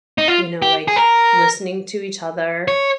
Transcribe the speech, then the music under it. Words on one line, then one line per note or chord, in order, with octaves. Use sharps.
You know, like listening to each other
D#4
F4
G4
G#4
A#4
C#5